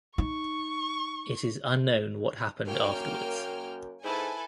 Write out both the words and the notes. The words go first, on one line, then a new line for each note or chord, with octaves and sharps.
It is unknown what happened afterwards.
D#4 C#6
F#2 A#3 C#5 G5 F6
G#2 E4 A4 B4 G#5